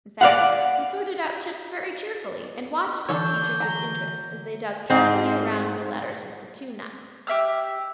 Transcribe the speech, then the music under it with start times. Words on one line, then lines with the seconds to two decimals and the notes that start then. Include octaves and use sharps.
In fact, he sorted out chips very cheerfully and watched his teachers with interest as they dug carefully around the letters with the two knives.
0.21 D5 F5 F#5
3.09 D3 E3 D4 A4 C#5 C#6 G6
3.60 F#3 A#5
4.90 G#2 C4
7.27 G4 E5 E6 F6